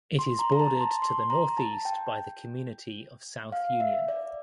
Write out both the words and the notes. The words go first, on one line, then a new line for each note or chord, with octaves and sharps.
It is bordered to the northeast by the community of South Union.
C6
A#5
A#5
A5
C6
C6
A#5
A5
G5
F5
E5
D5